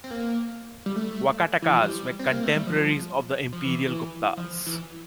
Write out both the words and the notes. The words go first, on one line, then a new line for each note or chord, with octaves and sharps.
Vakatakas were contemporaries of the Imperial Guptas.
C4
A#3
G3
A3
E3
F3
G3
C4
A#3
A3
G3
F3
F3
E3
E3
F3
E3